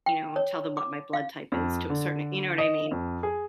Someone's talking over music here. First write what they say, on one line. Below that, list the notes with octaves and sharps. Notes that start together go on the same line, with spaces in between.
you know, tell them what my blood type is to a certain you know what I mean?
G5
C#5
D6
F5
F2
D3
D#5
F2
G#4